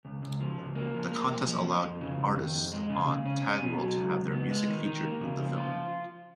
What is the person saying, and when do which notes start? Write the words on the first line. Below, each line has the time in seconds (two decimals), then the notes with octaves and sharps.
The contest allowed artists on TagWorld to have their music featured in the film.
0.05 C#2
0.22 C#2
0.40 F3
0.59 C#2
0.75 A#3
0.94 F3
1.11 A#3
1.29 B1
1.47 F3
1.64 F3
1.83 F2
2.01 C#3
2.18 F2
2.36 D#3
2.54 F2
2.72 G#3
2.90 C#3
3.08 C#3
3.26 C#4
3.43 C#4
3.61 B2
3.78 F#3
3.97 C#2
4.15 C#2
4.32 B3
4.50 G#3
4.68 D#3
4.85 D#3
5.03 A#3
5.21 C#3
5.39 F3
5.57 F4